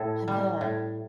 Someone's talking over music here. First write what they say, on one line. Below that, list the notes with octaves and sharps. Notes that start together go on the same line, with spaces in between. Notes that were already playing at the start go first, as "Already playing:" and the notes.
I bet.
Already playing: A2 A4
G3
A2